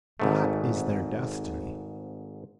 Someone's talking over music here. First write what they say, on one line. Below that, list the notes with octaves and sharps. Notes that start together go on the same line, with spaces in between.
That is their destiny.
G#1 G#2 A3